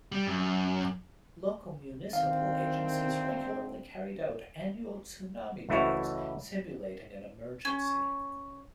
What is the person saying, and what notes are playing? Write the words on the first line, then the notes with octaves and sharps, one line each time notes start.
Local municipal agencies regularly carried out annual tsunami drills simulating an emergency.
G3
F#2
D2 D#3 C4 F5
C#2 E3 A3 E4 F#4 C#5
C#4